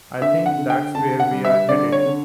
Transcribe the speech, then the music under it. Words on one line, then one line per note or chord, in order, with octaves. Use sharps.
I think that's where we're headed.
D3 E5
F#5
D3
G5
D3 A5
F#5
G3
E5
D3 D5
C#5
D3